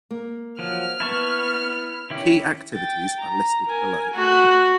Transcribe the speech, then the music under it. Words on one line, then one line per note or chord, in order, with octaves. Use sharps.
Key activities are listed below.
A#3
F3 F#3 F6
B3 E4 A5 C#6
D#3 C#4 E4 G4
G5 A6
A#5
A#4 G#5
A3 F#4 F#6